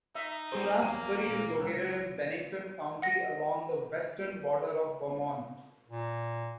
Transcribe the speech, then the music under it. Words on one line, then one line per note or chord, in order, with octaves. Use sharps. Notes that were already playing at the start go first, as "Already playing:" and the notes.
Shaftsbury is located in Bennington County along the western border of Vermont.
D#4 E5
G3 G#4 C5
E2 F#3 A#3 D#7
A#2
C#2 F#3 E6
F#5 A#6
A#2